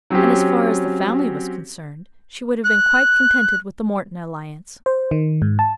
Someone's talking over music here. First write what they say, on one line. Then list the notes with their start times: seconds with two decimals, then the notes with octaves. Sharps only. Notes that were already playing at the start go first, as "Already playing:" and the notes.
And, as far as the family was concerned, she would have been quite contented with the Morton alliance.
0.10 F#3 C4 C#4 G4
2.64 F#6
4.86 C5
5.11 D#3
5.42 G#2
5.59 A5